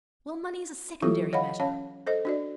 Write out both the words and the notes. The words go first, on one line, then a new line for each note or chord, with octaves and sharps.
Well, money is a secondary matter.
E3 F#3 E4 F4 G4 A4
C#5 D#5 F5 F#5 B5
C#4 C#5 F5 A5
A4 C5 D#5
D4 F#4 D5